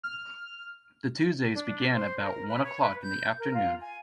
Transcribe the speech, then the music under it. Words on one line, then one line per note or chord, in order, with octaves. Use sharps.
The Tuesdays began about one o'clock in the afternoon.
F6
D4
C5
A#4
B4
C#5
B4
G6
A#4
F4
G#5